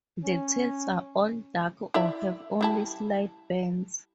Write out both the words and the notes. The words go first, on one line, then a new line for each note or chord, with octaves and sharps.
The tails are all-dark or have only slight bands.
C#4
E4 D5 E5
G3 E4 A5